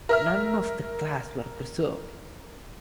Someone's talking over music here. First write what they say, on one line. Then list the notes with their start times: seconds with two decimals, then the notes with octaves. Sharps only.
None of the class were preserved.
0.09 A#4 E5 F6